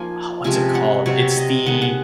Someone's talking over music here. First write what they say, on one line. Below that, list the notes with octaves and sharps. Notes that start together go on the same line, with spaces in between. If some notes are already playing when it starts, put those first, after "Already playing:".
uh, what's it called? It's the
Already playing: F3 A#3 D#4 F4 G#5
C3 F3 G#3 C#4 G#5
F#5
C3 F#3 C4 C#5
D#5
D#3 G#3 D#4 F#5
F#5